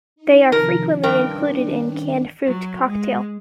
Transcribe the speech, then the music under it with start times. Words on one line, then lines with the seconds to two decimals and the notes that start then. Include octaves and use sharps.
They are frequently included in canned fruit cocktail.
0.16 D#4
0.52 C3 D#3 F3 A#4
1.04 G2 D#3 C#4 D4 A#4 G5
2.44 F#3
2.87 G#3